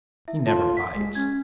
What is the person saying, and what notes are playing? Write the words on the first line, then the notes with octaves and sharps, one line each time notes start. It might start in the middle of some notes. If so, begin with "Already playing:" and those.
"He never bites."
E4 E5
F4 A4 C#5 A5
B6
G#3
C#4 G#6